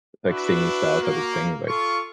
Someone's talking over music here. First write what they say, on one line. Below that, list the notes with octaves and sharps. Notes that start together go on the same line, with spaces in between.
like, singing style type of s thing, like
D4 E4 F#4 B4
A#3
F4 A4 C#6